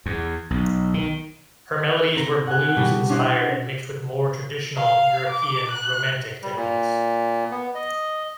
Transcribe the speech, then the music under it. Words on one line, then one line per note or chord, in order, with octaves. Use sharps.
Her melodies were blues-inspired and mixed with more traditional, European Romantic techniques.
E2
B1
D#3
C4 A#5
F#5 G#5 F#6
B2 G3 B4
C#4 D4 E4 C5 D#5 F#5
F5
D6
F#6
G3
A#2
B3
D#5